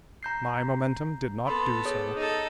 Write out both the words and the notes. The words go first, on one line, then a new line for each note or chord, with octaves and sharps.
My momentum did not do so.
A#5 G6 C7
B3 A4 B5 C6
G#4 C#5 D#6
D#4 A4